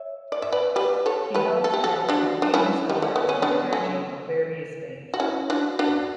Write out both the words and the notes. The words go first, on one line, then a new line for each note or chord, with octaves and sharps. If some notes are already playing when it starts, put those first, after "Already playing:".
He held talks with leading scholars and clergy of various faiths.
Already playing: C#5 E5
D5
E5
B4 D5
G4 B4
A4 C#5
G4 B4
A4
G4
F#4 A4
D4 F#4
D4
C#4 E4
G3
A3
B3
C#4
B3 D4
A3 C#4
F#4
C#4 E4
D4 F#4
D4 F#4